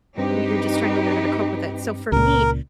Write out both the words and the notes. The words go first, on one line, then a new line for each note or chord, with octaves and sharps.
and when you're just trying to learn how to cope with it, so for me,
G2 C4 D#4 G4 B4
C#2 A#2 A#4